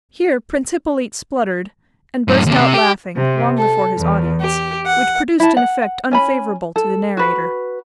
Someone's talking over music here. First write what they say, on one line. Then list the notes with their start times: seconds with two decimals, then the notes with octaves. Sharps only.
Here Prince Hippolyte spluttered and burst out laughing long before his audience, which produced an effect unfavorable to the narrator.
2.28 F#2 A2
2.46 D#2 C3
2.59 C3
2.74 G4
3.15 C3
3.57 A4
3.97 E2
4.40 G4
4.86 F#5
5.40 E4 A5
5.57 F#5
6.11 C#4 G#5 B5
6.76 A4
7.17 F#4 B4